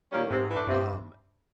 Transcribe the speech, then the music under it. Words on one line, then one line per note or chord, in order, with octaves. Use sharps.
or, um,
D#3 G3 A#3 C#4
G#2 C3
E3 A3 D4
G2 C3